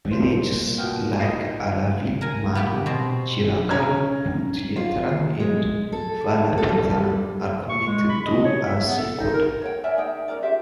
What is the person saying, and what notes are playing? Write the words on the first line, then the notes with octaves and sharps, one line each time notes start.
Villages like Alavil, Manal, Chirakkal, Puthiyatheru and Valapattanam are connected to Azhikode.
A#2 G3 C5
B2 G5 F6
D#4 A#6 C7
A#4 G#5
B3 G4
B2 C4
C#4 A#5 G#6
F4
D#2
G#3
A4
A4
G3
C#6
G#3
B5
D#5
C#5
E5
B3
A4
D#4
A#4
C#5 G5
A#4 D5 E5 G#5
D#4 G5
C#4 F4 A#4 D5
F4 G4 E5